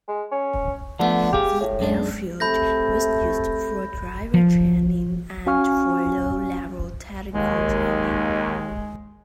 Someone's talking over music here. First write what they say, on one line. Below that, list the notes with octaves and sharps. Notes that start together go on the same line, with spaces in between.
The airfield was used for driver training and for low level tactical training.
G#3
C#4
D3 F3 A3 B3
G4 G#4 F5
A2
F#2 G#3 D4
C3 A3 B5 G6 A#6
F3
C#4 F#4 F5 G#5 C#6 F6
D#2 G#3